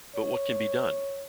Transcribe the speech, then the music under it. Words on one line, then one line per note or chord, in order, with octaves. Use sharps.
But what can be done?
C#5